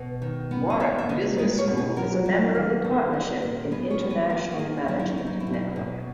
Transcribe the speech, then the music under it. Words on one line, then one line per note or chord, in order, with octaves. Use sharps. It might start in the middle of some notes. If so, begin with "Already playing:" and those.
Warwick Business School is a member of the Partnership in International Management network.
Already playing: B2
D#3
B3
D#5
A#3 C#5 E5
E5
A#3 B4 D#5
G#3 B4 D#5
A#4 C#5
B2
G#4 B4
F#3 F#4 A#4
F#3
D#3
D#3
A#3
A#2
B3 G#4 B4
A#4 C#5
B3
G#4 B4
A#3 F#4 A#4
F#4
A#3 E4 G#4
D#4
F#3 C#4 E4
E4
D#4
F#3
D#4
E4
B2
D#4
B2